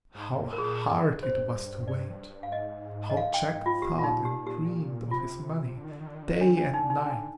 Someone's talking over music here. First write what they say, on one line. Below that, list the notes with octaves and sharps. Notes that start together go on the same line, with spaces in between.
How hard it was to wait! how Jack thought and dreamed of his money, day and night!
G#2
G#2
A#2
G#2 A#4
A#2 G#4
G2
C5
D5
F5
G#2 D#5
D#5
F5
G5
F4
A#2 G4
F4
D#4
G4
G4
C3 F4
D3
D#3
D3
D#3
D3
D#3
D3
D#3
D3
D#3 D4
D3 D4
D#4
D#4
C3
D3 D4